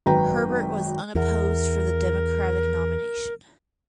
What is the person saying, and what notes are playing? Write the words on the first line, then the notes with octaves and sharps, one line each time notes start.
Herbert was unopposed for the Democratic nomination.
G#1 F#2 B4 G5 A#5
E2 A#4